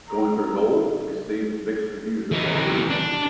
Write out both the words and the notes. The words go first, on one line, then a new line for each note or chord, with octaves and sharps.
"Going For Gold" received mixed reviews upon release.
A#5
E3 D#4
D4